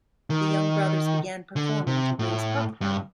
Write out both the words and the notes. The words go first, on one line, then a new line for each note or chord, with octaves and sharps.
The young brothers began performing to raise pocket money.
D#3
D3
C3
A2
G2